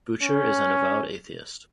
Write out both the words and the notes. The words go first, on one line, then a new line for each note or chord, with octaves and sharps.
Boucher is an avowed atheist.
C#4